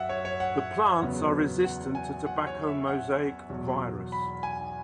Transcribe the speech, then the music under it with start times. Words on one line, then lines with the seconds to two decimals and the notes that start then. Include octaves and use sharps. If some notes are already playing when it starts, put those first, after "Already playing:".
The plants are resistant to tobacco mosaic virus.
Already playing: F#2 F#3 E5 F#5
0.09 C#5
0.25 C#5
0.40 F#5
1.02 E2 C#3 F#3 B3
1.64 F#5
1.95 G#5
2.26 F#5
2.47 C#5
2.67 E5
2.88 F#5
3.50 E2 B2 F#3
4.12 B5
4.43 G#5